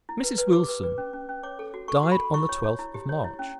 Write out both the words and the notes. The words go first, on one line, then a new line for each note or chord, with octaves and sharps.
Mrs. Wilson died on the twelfth of March.
E4
B4
B4
G4 D6
B4
B4
C#4
C#4
C#4
C#5 D6
A4
F#4
A4 C#6
F#4
B5
A4
E4 C#6
C#5
C#5
E4
G4
C#5
E4
C#4